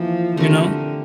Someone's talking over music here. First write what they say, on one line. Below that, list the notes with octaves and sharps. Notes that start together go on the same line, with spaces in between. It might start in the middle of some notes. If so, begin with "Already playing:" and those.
You know?
Already playing: E3 F3 A#3 F4
D3 A3 C4 G4 A#4